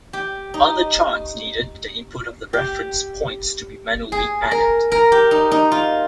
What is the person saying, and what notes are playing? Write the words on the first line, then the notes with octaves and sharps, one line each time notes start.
Other charts needed the input of the reference points to be manually added.
G4
D#4
G4
G#4
A#4
A#4
G4
D#4
D#4
F4